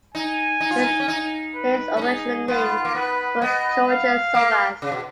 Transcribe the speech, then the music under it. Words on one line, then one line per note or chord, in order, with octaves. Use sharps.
His original name was Georgios Zorbas.
D#4 G#5
D#4
F4
D#4
C#4
D#4
B4
C#4
D#4 G#4
B3 F4
A#3
B3 B4
B3 D#5
F5
A#3
C#3
B2